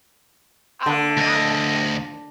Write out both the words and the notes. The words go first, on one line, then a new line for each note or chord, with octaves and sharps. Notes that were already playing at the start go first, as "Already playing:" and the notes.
Oh, man, I love JJ.
D3
D2 D#5